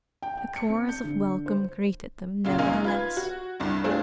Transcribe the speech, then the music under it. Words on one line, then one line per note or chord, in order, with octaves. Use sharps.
A chorus of welcome greeted them, nevertheless.
G5
G5
C#7
C4
G6
D3
C5
A#2 C#3 F4
F#1 F#2 A#3 D#4 F5 G#5
F4 B4 G#6
F#4
C2 G2
A3 C4 D4 F4 G#4